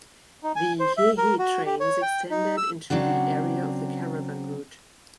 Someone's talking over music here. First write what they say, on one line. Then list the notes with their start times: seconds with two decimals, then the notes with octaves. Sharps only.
The Hehe trains extended into the area of the caravan route.
0.43 D#4
0.56 G#5
0.79 C5
0.97 E5
1.18 A#4
1.39 F#4
1.66 G4
1.80 C#5
2.02 G5
2.31 D#4
2.57 E6
2.90 C#3 F#3 C4 D4 F#5